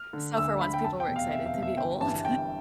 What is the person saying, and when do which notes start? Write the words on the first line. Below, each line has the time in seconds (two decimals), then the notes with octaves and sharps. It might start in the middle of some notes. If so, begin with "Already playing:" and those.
So, for once, people were excited to be old?
Already playing: F6
0.13 D3
0.37 D2 E6
0.61 D3 B5
0.74 G5
0.84 F1 A5
1.00 G5
1.08 E2 B2
1.16 F5
1.31 F1 E5
1.46 F5
1.54 E2 B2
1.62 E5
1.77 G1 G5
2.01 G2 E3 A5
2.25 G1 G5